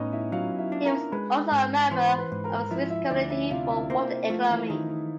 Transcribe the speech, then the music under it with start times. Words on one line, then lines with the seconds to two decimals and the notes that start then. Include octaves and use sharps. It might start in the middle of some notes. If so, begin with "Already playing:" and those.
He was also a member of the Swiss Committee for Water Economy.
Already playing: A2 B3 C#4 D#4 C#5 D#5
0.13 E4 E5
0.32 F#3 F4 F5
0.58 E4 E5
0.72 D4
0.85 A#4 A#5
1.12 G#3 B4 B5
1.51 G#2
1.91 E3 C5 C6
2.07 C6
2.18 B4 B5
2.32 G#2
2.44 A#4 A#5
2.71 F3 E4 E5
2.90 E4 E5
3.10 D2 D4 D5
3.30 E4 E5
3.50 C3 F4 F5
3.70 E4 E5
3.90 A#3 C4 C5
4.29 F3 A3 F4
4.50 E3 E4
4.70 D#3 D#4
4.89 D#4